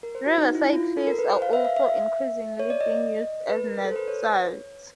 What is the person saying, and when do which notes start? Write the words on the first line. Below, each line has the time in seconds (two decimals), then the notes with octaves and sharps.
Riverside cliffs are also increasingly being used as nest sites.
0.03 A#4
0.15 C5
0.26 F#4
0.38 D#4
0.55 E4
0.73 F4
0.97 A4
1.07 A#4
1.19 B4
1.30 C5
1.42 F5
1.53 E5
1.65 F5
1.77 E5
2.59 C#5
2.70 D5
2.81 D#5
3.49 B4
3.66 A#4
3.85 A4
3.91 C5
3.96 B4
4.08 C#5